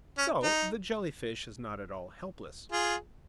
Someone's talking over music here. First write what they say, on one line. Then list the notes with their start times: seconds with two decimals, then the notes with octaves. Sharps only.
So the Jelly-fish is not at all helpless.
0.18 C#4
0.43 D#4
2.72 F4 G#4